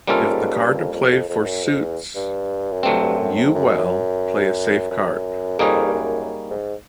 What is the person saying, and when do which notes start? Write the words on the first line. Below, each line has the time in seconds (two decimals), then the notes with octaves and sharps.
If the card to play for suits You well, play a safe card.
0.07 C3 G3 A#3 C#4 F4 A4
0.31 G#2
0.54 G2
0.77 F2
0.94 F2
1.11 F2
1.29 F2
1.46 F#2
1.64 F2
1.80 E2
2.15 G2
2.72 F#2
2.83 G2 F#3 A3 C4
3.01 G2
3.18 F#2
3.35 F#2
3.45 F2
3.55 F#2
4.91 F#2
5.59 F2 G3 A#3 D#4 G#4 C#5
5.87 G2
5.94 F#2
6.50 G#2